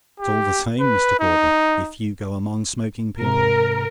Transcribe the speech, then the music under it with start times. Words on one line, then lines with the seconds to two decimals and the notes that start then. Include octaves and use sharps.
It's all the same, Mr. Caudle, if you go among smoking people.
0.20 G4
0.80 B4
1.20 D#4
3.22 G#2 C3 A#4